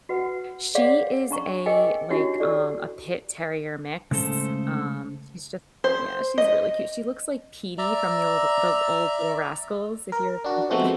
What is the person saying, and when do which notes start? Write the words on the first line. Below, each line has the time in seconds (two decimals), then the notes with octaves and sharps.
She is a, like, um, a pit-terrier mix. Um, she's just Yeah, she's really cute. She looks like Petey from the old the old Little Rascals, if you remember that
0.09 F#4 B4 F#5
0.75 G#4 C#5 D5 F5 F#5
1.31 D4 A#5 C#6
1.66 G#4 A#4 D#5 G5 G#5
2.10 D4 E4 F#4 G4 C#5
2.40 G4 A4 D5
4.11 C#3 G#3 A3 A4 C5
5.84 C5
6.38 D#5
7.78 D5 E5 A#5
10.12 A#4
10.44 D4 F#4
10.71 F3 G#3 A3 B3 C4 F#4